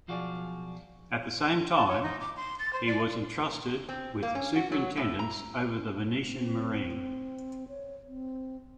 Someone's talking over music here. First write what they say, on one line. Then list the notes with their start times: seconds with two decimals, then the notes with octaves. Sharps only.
At the same time, he was entrusted with superintendence over the Venetian marine.
0.08 B1 F3 F4 F#4 G#4 D5
1.76 A5
1.88 C#5
2.03 D#4
2.20 D6
2.37 C6
2.59 A6
2.73 C5
2.87 D5
3.89 C4
4.23 A#3
4.35 C#4
4.56 F#4
4.72 F#3
4.97 A2
5.19 A#5
6.24 C4
7.69 C#5
8.07 C4